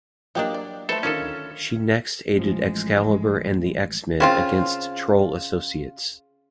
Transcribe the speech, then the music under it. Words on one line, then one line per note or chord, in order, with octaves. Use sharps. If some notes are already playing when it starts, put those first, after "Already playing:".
She next aided Excalibur and the X-Men against Troll Associates.
F#3 A#3 D4 F4 G4 D#5
D5
A3 A4 B4 C5 E5
D3 D#3 C#4 F4 A4 A5
A1 F3 G#3
C#3 C4 F4